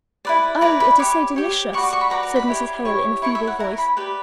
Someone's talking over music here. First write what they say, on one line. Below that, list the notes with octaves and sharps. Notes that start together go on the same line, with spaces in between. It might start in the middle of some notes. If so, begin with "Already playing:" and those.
'Oh! it is so delicious!' said Mrs. Hale, in a feeble voice.
E4 B4 D5
E4 B4 D5 A#5
B5
G4 C#5 D6
G4 C#5
F#4 B4 D5 C#6
D6
C#6
B5
F#4 B4 D5 A#5
A#5
B5
E4 G4 C#5
E4 G4 C#5
E4 A#4 C#5 C#6
E5
F#5
E4 A#4 C#5 A#5
B5
G4 B4 D5